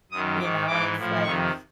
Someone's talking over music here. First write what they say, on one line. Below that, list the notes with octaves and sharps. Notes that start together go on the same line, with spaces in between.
you know? And it's, like,
F#2 D#3 D#6
G#2 D#3 D6
G#2 E3 D6
A2 F3
F2 C3 D#3 C#6